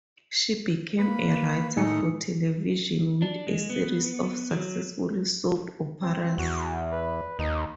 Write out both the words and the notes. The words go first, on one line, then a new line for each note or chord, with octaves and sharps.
She became a writer for television with a series of successful soap operas.
A#3 B4
A2 D#3 G#3 D#4 C#7
D4
G#3
B3
F#3
C4
E2 F#4
B4
D#2 D#4